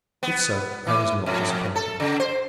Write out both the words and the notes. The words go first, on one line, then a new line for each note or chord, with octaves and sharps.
If so, I was not disappointed.
B3
E3
F2
A4
C#3
C5